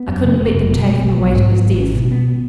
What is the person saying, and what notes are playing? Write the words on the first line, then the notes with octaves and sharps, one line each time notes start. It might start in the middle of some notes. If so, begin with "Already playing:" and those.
I couldn't let them take him away to his death.
Already playing: B3
F#2
C#3
F#1
F#1
B2
G#3
B1
B3
G#2
F#3
G#1
C#4
B2
B3